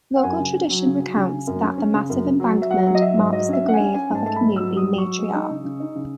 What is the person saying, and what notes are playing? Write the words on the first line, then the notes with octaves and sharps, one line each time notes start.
Local tradition recounts that the massive embankment marks the grave of a community matriarch.
F#5
F#2 G#5
C#3
C#4
F#3
C#3
F#3
C#3
C#3
F#2
C#4
C#4
C#3
F#2
C#3
F#3
F#3
E5
F#3 F#5
F#3
D#5
F#3 E5
G#2
F#3 D#5
C#4 E5
C#4 F#5
G#5
C#4
C#4 G#5
G#2
A5
A3 A5
G#2 B5
F#3 E6
G#2 D#6
F#3
F#3 C#6
G#3
D#4
C#3
C#3
D#4
C#3